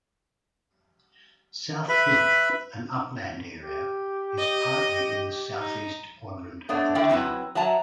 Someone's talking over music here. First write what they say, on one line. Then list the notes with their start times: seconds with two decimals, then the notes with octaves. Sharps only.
South Hill, an upland area, is partly in the southeast quadrant of the town.
1.89 B4 E5 B5
3.61 G4
4.39 D#5
5.58 D#4
6.69 A3 B3 D4 C#5
6.95 A2 D3 E4 D5 E5 G5
7.09 F#3 C4 E4 B4
7.55 F#3 E5 A5 A#5